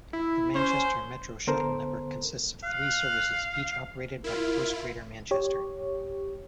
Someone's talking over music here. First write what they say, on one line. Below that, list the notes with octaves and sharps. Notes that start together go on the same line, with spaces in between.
The Manchester Metroshuttle network consists of three services, each operated by First Greater Manchester.
E4
C#4 C5
D3 B3 A4 A#4 C5
F5 F#6
E4 F4 A#4
G4 C#5